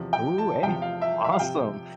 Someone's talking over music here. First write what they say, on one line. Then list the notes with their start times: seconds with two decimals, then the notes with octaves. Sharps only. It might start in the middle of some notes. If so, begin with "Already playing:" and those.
Ooh, hey. Awesome.
Already playing: E2 C3 F3
0.13 G5
0.38 A5
0.63 E2 C3 F3 G5
0.82 F5
1.01 E5
1.24 E5
1.32 F5
1.39 C3 F3 G5